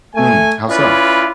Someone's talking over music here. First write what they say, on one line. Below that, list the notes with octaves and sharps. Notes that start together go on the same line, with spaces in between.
Hmm, how so?
A3 G#5
C#4 E4 F4 B4 D5